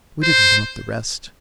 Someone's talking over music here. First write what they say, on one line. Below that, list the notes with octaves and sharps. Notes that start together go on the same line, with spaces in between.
We didn't want the rest.'
C5